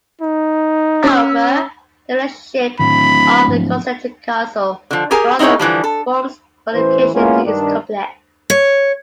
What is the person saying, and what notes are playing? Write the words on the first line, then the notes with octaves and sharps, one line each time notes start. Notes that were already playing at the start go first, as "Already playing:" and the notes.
However, the relationship of the concentric castle to other forms of fortification is complex.
D#4
C#4 E6
D1 A2 D#3 B5
G#2 F3
D3 F3
G4 G#4 A#4 G#5
C4 D#4 E4 G#4 C#5
D3 E3 F3 G3
A4
A1 E3 B4 C5
G#3 A#3 B3 C#4 E4 F4
G2 D#3 D4
C#5